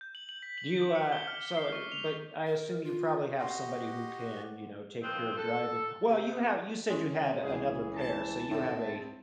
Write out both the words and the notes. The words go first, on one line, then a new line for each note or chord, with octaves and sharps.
Do you, uh so but I assume you probably have somebody who can, you know, take care of driving. Well, you have you said you had another pair, so you have a
G6
F#7
F#7
B6
F#7
D6
C#7
G7
F6
C7
C#6
F7
A#4
F4
F#4 G4 D#5 F#5 C6
D#3 F3 C4 F4 B4
A4
C3
G#3 C#4 E4 C#5
C#2 E3 G#4
A5
A2 C4 D#4 E4